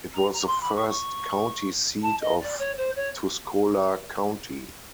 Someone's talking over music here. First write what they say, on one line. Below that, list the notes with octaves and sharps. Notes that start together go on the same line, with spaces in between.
It was the first county seat of Tuscola County.
A#5
A#5
C6
B5
C#6
C#6
A5
D#5
D5
C#5
C5
C#5